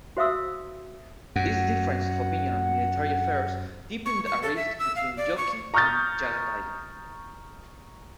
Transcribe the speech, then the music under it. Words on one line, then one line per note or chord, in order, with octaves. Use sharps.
This difference of opinion on military affairs deepened a rift between Jochi and Chagatai.
F#4 C5 E5 F5 D#6 E6
F#2 F#5
C#6
C#6
A4
E5
E6
F5
D5
C#6
A#5 C#6 D#6 F6 G6 A6